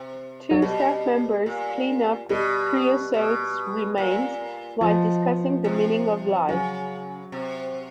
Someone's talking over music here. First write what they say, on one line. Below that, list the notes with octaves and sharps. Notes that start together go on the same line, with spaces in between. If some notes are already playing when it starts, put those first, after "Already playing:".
Two staff members clean up Creosote's remains while discussing the meaning of life.
Already playing: C3
F#3
B2 G3
A#2
B2 G3
B2
A#2
B2 F3
C3
C#3 F#3
C3